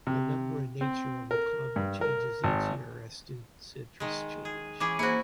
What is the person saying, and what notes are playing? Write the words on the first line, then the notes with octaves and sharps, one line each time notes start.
The number and nature of clubs changes each year as student interests change.
C3
C4
A#4
G2
A#4
G#1
D#3 G#3
G#4
E3 C#4 G#4 D6
A#3 E4 F#4 G#4 C5